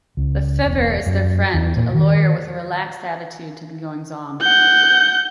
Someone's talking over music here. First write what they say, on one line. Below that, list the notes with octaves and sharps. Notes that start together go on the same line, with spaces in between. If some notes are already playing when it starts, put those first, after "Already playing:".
Lafever is their friend, a lawyer with a relaxed attitude to the goings on.
C#2
E1
F#2
E2
A#2
D#3
F#5 G6